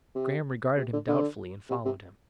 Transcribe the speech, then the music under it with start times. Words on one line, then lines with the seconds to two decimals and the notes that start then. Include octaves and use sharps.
Graham regarded him doubtfully and followed him.
0.15 C3
0.77 C3
0.93 D3
1.08 D3
1.70 C3
1.85 C3